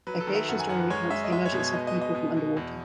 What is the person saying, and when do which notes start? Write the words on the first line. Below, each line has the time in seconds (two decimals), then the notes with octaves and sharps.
Their creation story recounts the emergence of the people from underwater.
0.07 F#3 B4
0.21 A4
0.27 D#3
0.35 E5
0.48 F#2 F#5
0.59 G#5
0.69 F#2 F#5
0.80 B4
0.90 G#3 C#5
1.10 G#3 E5
1.24 D#5
1.32 G#3 E5
1.45 C#5
1.52 B2
1.59 C#5
1.74 B3 D#5
1.87 D#5
1.94 B2
2.01 D#5
2.15 B2
2.37 B2
2.57 E2